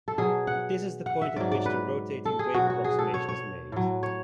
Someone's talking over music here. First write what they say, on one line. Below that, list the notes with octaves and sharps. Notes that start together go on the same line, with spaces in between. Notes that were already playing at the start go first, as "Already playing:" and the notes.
This is the point at which the rotating wave approximation is made.
A4
B2 F#3 G#4
F#5
F#5
E5
G#2 F#3 D5
D5
B4
A4
G#4
B2 F#3 F#4
F#4
G#4
A4
C#5
C#5
A2 F#3
C#5